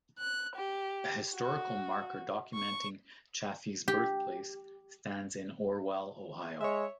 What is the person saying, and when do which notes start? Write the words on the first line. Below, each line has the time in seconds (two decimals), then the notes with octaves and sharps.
A historical marker documenting Chaffee's birthplace stands in Orwell, Ohio.
0.19 F#6
0.56 G4
1.35 F#4
2.55 C#6
3.88 G4
6.61 G#3 C#5 E5